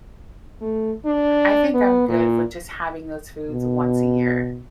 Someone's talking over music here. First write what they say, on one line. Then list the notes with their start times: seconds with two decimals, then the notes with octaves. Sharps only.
I think I'm good with just having those foods once a year.
0.61 A3
1.05 D4
1.74 B3
2.08 A#2
3.50 B2